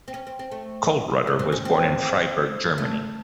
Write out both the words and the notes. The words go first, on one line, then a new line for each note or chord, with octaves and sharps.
Koellreutter was born in Freiburg, Germany.
C4
C#4
C4
C4
A3
A3
C4
C#4
C4
A3